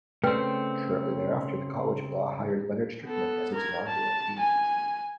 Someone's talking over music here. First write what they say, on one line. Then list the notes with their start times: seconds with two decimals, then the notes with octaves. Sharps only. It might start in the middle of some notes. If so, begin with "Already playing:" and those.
Shortly thereafter, the College of Law hired Leonard Strickman as its inaugural Dean.
0.24 C#3 A3 C4 B4 D5 G5
3.04 B3 A4
3.54 A#4 G#6
3.88 A5
4.40 G#5